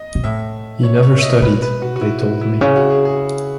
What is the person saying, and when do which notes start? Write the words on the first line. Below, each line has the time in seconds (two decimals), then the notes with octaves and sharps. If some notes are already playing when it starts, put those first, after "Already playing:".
'He never studied', they told me.
Already playing: D#5
0.15 B2
0.24 A2 E5
0.83 C#5
1.03 C#5
1.18 E5
1.23 D#5
1.42 B2 B4
1.62 B4
1.82 F#4
1.96 F#4
2.01 E4
2.21 F#4
2.41 E4
2.61 C#3 E4
2.76 F#4
2.90 G#4
3.05 G#4